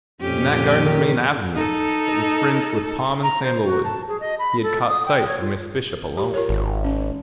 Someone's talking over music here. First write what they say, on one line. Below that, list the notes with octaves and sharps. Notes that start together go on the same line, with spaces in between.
In that garden's main avenue, that was fringed with palm and sandalwood, he had caught sight of Miss Bishop alone.
F2 A#2 C#4 G4
D#3
D#4 A4
A#5
C5
F#4
A5
G#4
D#5
B5
A4
D#6
G5
C#5
F4
G4
F4 A#4 C#5
G#1
C#4